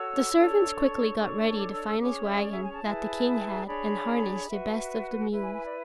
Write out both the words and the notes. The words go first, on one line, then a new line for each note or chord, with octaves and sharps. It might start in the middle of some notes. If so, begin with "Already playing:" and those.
The servants quickly got ready the finest wagon that the King had, and harnessed the best of the mules.
Already playing: F#4 A4 C#5 E6
D4 A4 C#5
C#6
D4 A4 C#5
D6
E6
E6
C#4 G#4 C#5 D6
E5
D5
E5
G#5
A5
E4 G#4 B4
D4 G#4 C#5 B5
F#4 B4 E5
E4 B4
G#5
G#5
D5